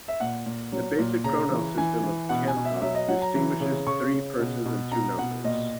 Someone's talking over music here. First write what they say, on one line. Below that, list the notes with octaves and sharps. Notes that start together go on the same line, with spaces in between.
The basic pronoun system of Kamtok distinguishes three persons and two numbers.
E5
A#2 F#5
A#2
F#3
A#2
C#3 A#5
E3
E3 G#5
E3
B2 F#5
G#5
B2
E5
F#3 E5
D#5
F#3 F#5
A#5
E3
C#3
C#3 C#6
C#3
B2
B2
B2 A#5
B2 F#5
A#2 D#5